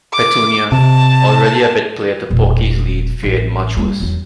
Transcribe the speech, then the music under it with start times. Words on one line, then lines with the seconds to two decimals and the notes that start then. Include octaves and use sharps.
Petunia, already a bit player to Porky's lead, fared much worse.
0.13 D6
0.72 C3 A5
2.30 E1 A#2
3.23 A1
3.77 G3 A#3
4.00 E2 F#3